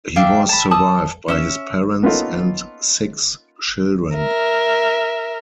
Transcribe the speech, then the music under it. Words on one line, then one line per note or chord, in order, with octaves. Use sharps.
He was survived by his parents and six children.
D4 E5 F5 G5
A5 B5
A5 D#6 E6
C#4 E5 E6
A#3 B3 C#4 D#4 F4 A4
A#4 E5